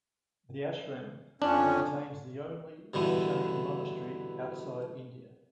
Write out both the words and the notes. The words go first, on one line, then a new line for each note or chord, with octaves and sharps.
The ashram maintains the only Jain monastery outside India.
F2 F3 C#4 D4
G2 B2 D3 E3